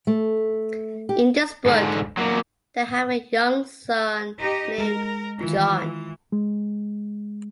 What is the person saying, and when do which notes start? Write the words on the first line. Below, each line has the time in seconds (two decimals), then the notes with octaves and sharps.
In this book, they have a young son named John.
0.07 A3
1.09 G4
1.66 G#2 D3
2.17 A#2 F#3
4.39 D#4 G4 D#5
4.78 G#3 A#4
5.41 D#3 E3 F4
6.32 G#3